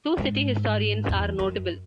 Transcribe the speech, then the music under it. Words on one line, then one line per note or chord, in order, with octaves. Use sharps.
Two city historians are notable.
G#2
E2
F#2